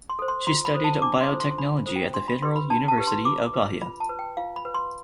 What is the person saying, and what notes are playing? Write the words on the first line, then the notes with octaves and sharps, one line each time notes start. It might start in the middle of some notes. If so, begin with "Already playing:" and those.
She studied Biotechnology at the Federal University of Bahia.
C6
A4 C5
C6
F4 C6
B5
A4 C5
A5
D4 D6
C6
F4 A4 C5
C6
C6
D4 B5
F4 A4 C5
G5
D4 C6
B5
G4 B4 C6
B5
D4 A5
A5
G4 B4
C6
F4 D6
B4
F4 B5
A5
B4
G5
F4 F5
B5
B4
C6